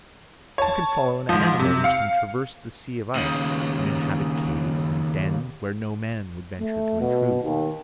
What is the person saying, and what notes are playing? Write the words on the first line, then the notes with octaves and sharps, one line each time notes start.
Who can follow an animal which can traverse the sea of ice and inhabit caves and dens where no man would venture to intrude?
C#5 A5
G#2 F3
C3
F5 C#7
D#2 C#3
A3
B2
D#2